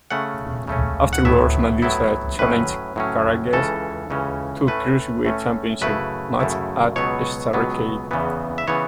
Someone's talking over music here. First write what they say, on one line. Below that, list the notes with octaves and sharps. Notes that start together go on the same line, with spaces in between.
Afterwards, Madusa challenged Karagias to a Cruiserweight Championship match at Starrcade.
C#3 A3 C#4 F#5
C#3 A3 C#4
F#5
A2 F#3 B3 E4 E5
A2 F#3 B3 E4
A2 F#3 C#4 B4
A2 F#3 C#4
C#2 C#3 E3 C#4 A4
C#2 C#3 E3 C#4
A2 A3 C#4 B4
A2 A3 C#4
F#2 C#3 A3 E4 B4
F#2 C#3 A3 E4
C#2 B2 F#3 B3 C#5
C#2 B2 F#3 B3
E2 C#3 E3 B3
E5
C#3 E3 B3 C#5